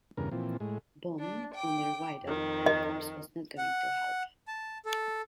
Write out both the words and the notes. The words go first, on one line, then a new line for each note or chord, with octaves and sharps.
Baume, under Wido, of course was not going to help.
E2 G2 C#3 A#4
A#2 E3 F3 C4
A2 G#3
D4
G5 D6
F2 D#3
D#5
F#5
A5
A4